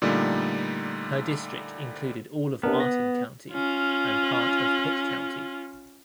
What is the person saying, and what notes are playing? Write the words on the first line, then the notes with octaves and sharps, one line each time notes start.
Her district included all of Martin County and part of Pitt County.
A#2 D3 G3 A3 D#4
C3 B3 D4 A#4
A#6
C#4 F4